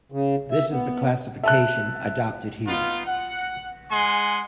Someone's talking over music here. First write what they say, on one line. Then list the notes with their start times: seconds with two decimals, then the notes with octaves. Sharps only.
This is the classification adopted here.
0.12 C#3
0.51 E5
0.70 B3
1.43 E5 A5 F#6
2.67 B3 D#4 F4
3.06 F#5
3.91 G#3 F#5 G#5 C6